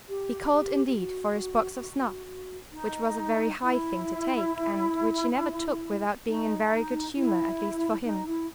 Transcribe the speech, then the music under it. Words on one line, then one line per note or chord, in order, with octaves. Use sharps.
He called indeed for his box of snuff, which was a very high thing to take; and which he never took without being in very good humour, at least for him.
G4
G4
G4
F#4
D#4
E4
D#4
E4
D#4
E4